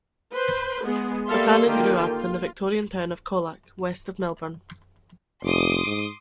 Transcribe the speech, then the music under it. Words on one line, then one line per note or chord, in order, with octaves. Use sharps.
Buchanan grew up in the Victorian town of Colac, west of Melbourne.
B4 C5
G#3 B3 G#4
G3 A#3 A4 E5 F5 C6
D3 D#3 A#3 F4 G4 G5
F4
F1 C6 D6 D#6
G#2